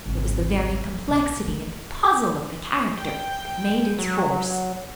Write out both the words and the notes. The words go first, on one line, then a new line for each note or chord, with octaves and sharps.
It was the very complexity and puzzle of the character that made its force.
G#1 C#2
D4
B1
A3
G5
F#3